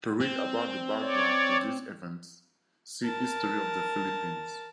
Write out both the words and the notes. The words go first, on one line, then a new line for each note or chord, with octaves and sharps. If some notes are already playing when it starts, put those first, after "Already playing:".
To read about the background to these events, see History of the Philippines.
C4
C#5 D5
A#4 A5